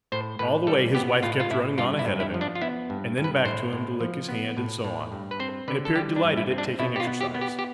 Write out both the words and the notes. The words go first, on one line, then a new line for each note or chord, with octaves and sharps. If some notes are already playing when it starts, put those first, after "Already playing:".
All the way his wife kept running on ahead of him, and then back to him to lick his hand and so on, and appeared delighted at taking exercise.
A2 C5
A2 B4
G3 A4
B3 G4
A2 F4
F4
A2 E4
G2 F4
E4
G2
E4
F3
D4
F4
B3 E4
G2
G2
B4
A2 C5
A2
F3
B3
A2
A2
G2
B4
C4 C5
D3 B4
A4
G3 G4
D4
G2
E4
C4
D4
B2 E4
G4
F4
B3
G4
B3
G4
G4